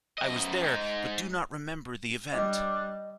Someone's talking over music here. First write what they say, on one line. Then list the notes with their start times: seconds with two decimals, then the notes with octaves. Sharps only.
I was there but do not remember the event.
0.18 F#2 D#5
0.64 G#2 D#4
2.33 G3 D4 D#5